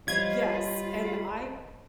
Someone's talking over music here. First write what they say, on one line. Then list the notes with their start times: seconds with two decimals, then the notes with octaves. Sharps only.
Yes, and I
0.08 G3 F4 C5 C#5 D#5 B5 G#6